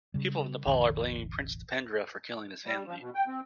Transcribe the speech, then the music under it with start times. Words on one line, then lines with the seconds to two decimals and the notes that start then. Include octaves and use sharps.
People of Nepal are blaming Prince Deependra for killing his family.
0.14 C#3 G3
0.66 E1 A1 E2 D3
2.66 G3
2.86 F3
3.01 B2
3.15 G5
3.27 C4